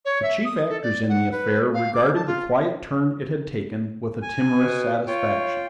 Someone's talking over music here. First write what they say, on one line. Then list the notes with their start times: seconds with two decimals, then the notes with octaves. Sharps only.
The chief actors in the affair regarded the quiet turn it had taken with a timorous satisfaction.
0.05 C#5
0.23 E5
0.45 D#6
0.69 A4
0.82 D5
1.09 F#5
1.32 B4
1.74 F5
1.94 D6
2.15 A5
2.27 F4
4.23 G#5
4.55 B2
5.07 F4 C#5 G5